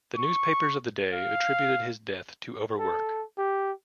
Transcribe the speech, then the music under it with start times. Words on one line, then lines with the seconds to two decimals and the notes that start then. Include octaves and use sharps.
The newspapers of the day attributed his death to overwork.
0.16 C#6
1.14 F5
2.79 A4
3.38 G4